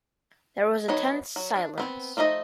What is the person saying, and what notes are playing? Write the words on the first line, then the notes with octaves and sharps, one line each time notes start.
There was a tense silence.
F#3 B3 D#4 C#5
F#3
D4
B3 C4
F3 A3 D#4 F#4 D#5